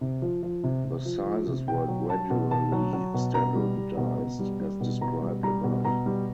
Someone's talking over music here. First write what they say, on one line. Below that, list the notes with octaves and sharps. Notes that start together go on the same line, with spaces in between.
The sizes were gradually standardized as described above.
C3
F3
F3
C3
C3
F3
F3
C3
B2 G5
F#3
F#3 A5
B2
B2 A5
F#3
F#3
B2
B2 A#5
G3
G3
B2
B2
G3
G3
B2
B2 A#5
G3
G3 A#5
B2
B2 A#5
G3